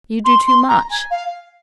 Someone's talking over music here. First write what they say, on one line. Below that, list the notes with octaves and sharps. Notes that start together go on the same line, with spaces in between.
You do too much.'
C6
C6
A#5
G#5
F5